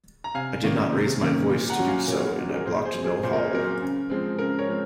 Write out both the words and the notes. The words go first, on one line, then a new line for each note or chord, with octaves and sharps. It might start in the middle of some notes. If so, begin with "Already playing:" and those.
I did not raise my voice to do so and I blocked no hall.
A#5
C3 F5 G#5
D#3 A#3 C#4
C3
D#3 A#3 C#4
A#2
F#5 A#5
F#3 C#4
F5 G#5
A#2 A#4 C#5
F#3 C#4
G#4
A#4
A#2 G#4 C5
G#4 C5
F#3 C4
G#4
A#2 C5
A#4
G#4
F#3 C4 A#4
C#3
F3 G#3 C4
C#3 A#4
A#4 C#5
F3 G#3 C4